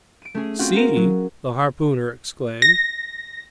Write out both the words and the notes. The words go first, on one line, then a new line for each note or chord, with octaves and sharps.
"See!" the harpooner exclaimed.
D7 D#7
A3 C#4 G#4
C4 C#4 F4 F#4 F#5
C#4 A#4
F#3
A#6